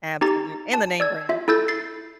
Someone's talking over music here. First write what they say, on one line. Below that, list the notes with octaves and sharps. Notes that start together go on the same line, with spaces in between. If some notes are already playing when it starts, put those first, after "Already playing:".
absolute and the name-brand.
D#4 G4 A#5 A6
A5
D5 E6 G#6
F4 E5
E4 A4 E6 G6 A6
A6 C7